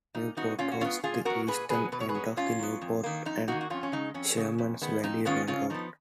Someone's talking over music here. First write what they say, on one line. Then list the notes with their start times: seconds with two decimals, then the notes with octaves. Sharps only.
Newport was the eastern end of the Newport and Shermans Valley Railroad.
0.15 A#2 D#4
0.37 G#3 B3 D#4 F#4
0.59 A#2 C#4 F4
0.72 F#4
0.80 G#3 C#4 F4
0.85 B3
1.03 A#2 F4 G#4
1.25 F#3 B3 F#4 A#4
1.47 A#2 G#4 B4
1.70 F#3 B3 G#4 B4
1.92 B2 B4
2.00 C#5
2.09 G#4 B4
2.14 F#3 B3
2.36 B2 C#4 F4
2.59 F#3 B3
2.82 F2
3.03 D#3 A#3
3.25 F2 D#4
3.48 A#3 D#4 F#4
3.52 D#3
3.61 F#4
3.70 F2 C#4 F4
3.83 C#4
3.92 C#3 G#3 D#4
4.14 F2 C#4
4.37 C#3 G#3
4.58 F2
4.82 D#3 G#3 B3
5.03 F2 D#4
5.25 D#3 G#3 B3 C#4 F4
5.47 C#3 C#4 F4
5.70 F3 B3 D#4